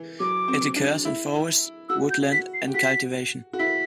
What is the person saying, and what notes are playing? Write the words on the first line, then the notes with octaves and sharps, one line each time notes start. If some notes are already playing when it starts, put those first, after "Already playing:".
It occurs in forest, woodland and cultivation.
Already playing: E3
F#3 D6
C4
D4
E4
F#4 E6
G6
F#4 B6
C7
G4
F#4 B6
F#4
E4 B6